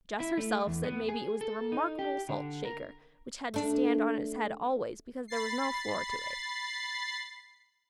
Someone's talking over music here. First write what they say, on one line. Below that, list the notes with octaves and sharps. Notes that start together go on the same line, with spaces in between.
Jess herself said maybe it was the remarkable salt shaker which had to stand on its head always, because there was no floor to it.
E4
A3
E2
B3
G#4
A4
D#4
G4
D3
A#4
A3 D4
B5 A6 C7